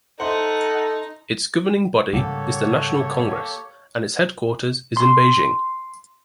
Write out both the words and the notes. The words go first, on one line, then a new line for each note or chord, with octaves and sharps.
Its governing body is the national congress, and its headquarters is in Beijing.
D#4 A4 C5 E5 F#5 C6
G#2 C#3 G3 A#3 G4 A4 C#5 F#5
C6